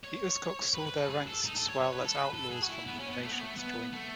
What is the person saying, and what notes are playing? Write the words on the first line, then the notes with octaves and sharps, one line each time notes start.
The uskoks saw their ranks swell as outlaws from all nations joined them.
C#5
B4
B4
A4
G#4
A4
D#4
A4
C#5
C#5
B4
A4
B4
A4
G#4
F#4
E4
B3
C#4
B3
A3
B3
A3
B3
A3